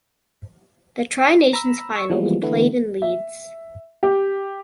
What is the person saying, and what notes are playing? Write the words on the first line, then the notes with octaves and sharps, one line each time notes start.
The Tri-Nations Final was played in Leeds.
A#5 B5 E6
C#6 E6
E3 F3 G3 G#3 A#3 B3
D3 E3 A3 B3
E5
G4